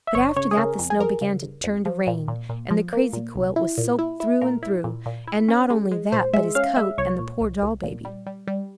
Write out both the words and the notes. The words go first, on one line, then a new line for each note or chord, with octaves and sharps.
But after that the snow began to turn to rain, and the crazy quilt was soaked through and through: and not only that, but his coat and the poor doll-baby.
E5
G1 C#5
C#3 C#5
G#4
C#3 A#4
F2
G#4
F2 A#4
C#3
G1
F2
F3
A#2
A#2
A#2
F3
A#3
A#2
C2
E4
A#2
E4
E4
A#2 A#4
E4
A#2
A#2
E4
C#4
G#3
G#3
A#2 C5
G#3 E5
C#4 F5
G#3 E5
C2 C#5
A#2
C2
C2
A#2
G3
G3
G3